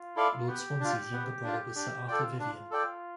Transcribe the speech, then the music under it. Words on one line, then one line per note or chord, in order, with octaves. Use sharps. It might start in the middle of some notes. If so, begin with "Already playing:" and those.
Lord Swansea's younger brother was Sir Arthur Vivian.
Already playing: F4
E4 A4 D5 F5
B3 G4
D4 F4
B3
D4 F4
D4 G4
F4 A4 D5 G5
D4 F4
A4 D5 G5